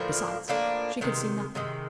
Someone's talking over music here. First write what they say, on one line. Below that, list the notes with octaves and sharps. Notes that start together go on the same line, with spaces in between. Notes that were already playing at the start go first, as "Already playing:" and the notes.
Besides, she could see nothing.
Already playing: A2 F3 A#3 D4
A2 F3 A#3 D4
C3 D#3 G#3
C3 D#3 G#3